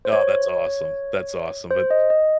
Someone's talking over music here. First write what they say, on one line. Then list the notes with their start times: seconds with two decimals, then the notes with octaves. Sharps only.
Oh, that's awesome, that's awesome, but
0.05 C5
0.13 C#5
1.70 C5
1.91 D#5
2.10 D#5